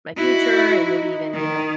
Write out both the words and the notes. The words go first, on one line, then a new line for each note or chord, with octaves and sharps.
my future and maybe even, you know,
D#4 E4 F#4
D#3